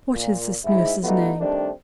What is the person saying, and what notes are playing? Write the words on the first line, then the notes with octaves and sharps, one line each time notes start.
"What is this nurse's name?"
A#2
G#2 E4
G3 A3 B3 D#4 F4 F#4
D#3 G3 A3 C4 D4